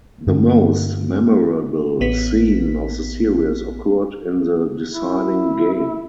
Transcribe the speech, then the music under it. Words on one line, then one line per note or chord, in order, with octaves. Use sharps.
The most memorable scene of the series occurred in the deciding game.
G2 D3 A3
A1 B3 B6
E4